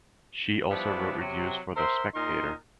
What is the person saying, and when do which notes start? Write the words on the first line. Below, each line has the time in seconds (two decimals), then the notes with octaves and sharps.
She also wrote reviews for "The Spectator".
0.71 F3 G3 B3 D4 E4
1.19 C3 F#3
1.77 A#4 C5 E5 C6
2.15 A#2 D#4 A#4 D#5 C6